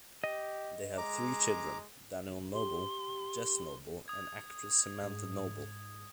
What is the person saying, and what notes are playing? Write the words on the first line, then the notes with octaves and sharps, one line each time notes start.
They have three children: Daniel Noble, Jess Noble and actress Samantha Noble.
G4 D#5
G#3 A#5 D6
G4 C6
D#6 G#6
G#2